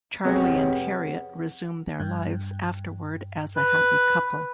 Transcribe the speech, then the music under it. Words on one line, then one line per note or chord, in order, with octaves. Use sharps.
Charlie and Harriet resume their lives afterward as a happy couple.
F2 C3 G#3 B3 C#4 G4 C#5
G2
B4